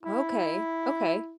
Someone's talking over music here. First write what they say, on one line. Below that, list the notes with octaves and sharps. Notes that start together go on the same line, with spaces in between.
Okay, okay.
E4